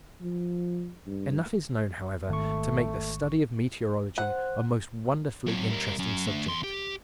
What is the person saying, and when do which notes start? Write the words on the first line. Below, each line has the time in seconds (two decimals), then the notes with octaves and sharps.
Enough is known, however, to make the study of meteorology a most wonderfully interesting subject.
0.21 F3
1.06 G2
2.29 G#1 A3 C#6
4.18 C5 F#5
5.46 F#3 C4
5.70 G3 A#4
5.99 F#3 C#4
6.27 A3 D4
6.46 E2 C6
6.64 G4